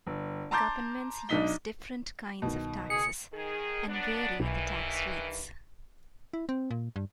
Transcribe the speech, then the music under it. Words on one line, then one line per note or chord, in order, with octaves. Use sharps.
Governments use different kinds of taxes and vary the tax rates.
G1
A5 A#5 C6 D6 G6 A6
B1 D4 D#4 B6 G7
C2 B2 D#3
F#1 G#4 C#7
D#3 G#4
F#3 B3 D4
B1 G2 D#3 E3
E4
C4
A#2
G2